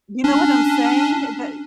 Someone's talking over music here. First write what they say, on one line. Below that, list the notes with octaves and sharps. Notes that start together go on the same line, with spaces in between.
You know what I'm saying? That
C#4 D4